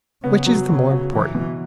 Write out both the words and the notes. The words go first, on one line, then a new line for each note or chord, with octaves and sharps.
Which is the more important?
C#3 B3
F#3
C#3 F#3
F#4
E3 F#3
B2